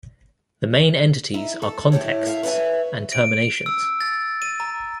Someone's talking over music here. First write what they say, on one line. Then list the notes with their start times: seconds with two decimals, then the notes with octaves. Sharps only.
The main entities are Contexts and Terminations.
1.34 D#4 E4
1.62 A4
1.92 A2 E4 G4 C#5
2.26 A4 E5 F5
2.43 B4 C#5 D5 E5 G#5
3.12 D7
3.66 E6
4.00 A6
4.42 D#7
4.60 A#5